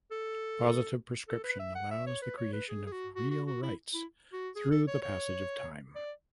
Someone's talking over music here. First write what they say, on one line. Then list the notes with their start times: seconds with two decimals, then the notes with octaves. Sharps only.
Positive prescription allows the creation of real rights through the passage of time.
0.11 A4
1.28 A4
1.44 B4
1.59 E5
1.75 F#5
1.91 E5
2.06 C#5
2.22 B4
2.37 C#5
2.53 B4
2.69 G#4
2.87 G#4
2.92 F#4
3.15 F#4
3.31 F#4
3.47 F#4
3.63 E4
3.94 E4
4.33 F#4
4.56 G#4
4.71 A4
4.87 C#5
5.02 C#5
5.95 D5